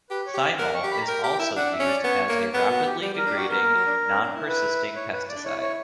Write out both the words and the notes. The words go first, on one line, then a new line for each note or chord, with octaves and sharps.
Thymol is also used as a rapidly degrading, non-persisting pesticide.
G4 B4
C#5
G4
A#4 F#5
C#6
G4
B5
A#5
A#4 G5
G4
G5
E4
D4 F#5
E5
C#4
D5
B3 C#5
A#3
B3 B4
F#4
G4
G3
G3
A#4
D4
F#4 G4
B3 A#4
A#3
F#3
D4
C#4
D4
E4
B4
C#5
B4
D5
D4
E4 C#5
C#5